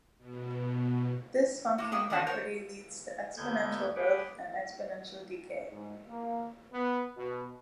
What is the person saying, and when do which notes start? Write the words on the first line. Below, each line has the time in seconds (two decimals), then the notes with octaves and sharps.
This function property leads to exponential growth and exponential decay.
0.18 B2
1.78 A2 A#3 F#4
1.91 F#3 A#3 G#4 E5 G5
2.10 E2 D3 F3 C#4 F#4 A5
2.27 A#4 C5 C#5
3.37 D#2 D3 B3 G6 G#6
3.96 G4 G#4 B4 F#5 G5
5.71 G#2
6.08 A#3
6.73 B3
7.18 B2